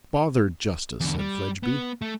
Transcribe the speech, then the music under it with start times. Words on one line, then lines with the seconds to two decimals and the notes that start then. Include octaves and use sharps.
'Bother justice!' said Fledgeby.
1.00 E2 D3
1.19 G3
1.63 B3
2.02 A3